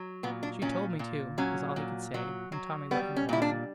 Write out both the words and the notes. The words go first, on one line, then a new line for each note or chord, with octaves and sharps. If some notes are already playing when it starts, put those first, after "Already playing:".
"She told me to," was all he could say, when Tommy let him alone.
Already playing: F#3
A#2 B3
D4
A#2 C#4
A#2
F#3 C#4
A#2
F#3
F#3
G3 B3
C#4
A#2 E4
D4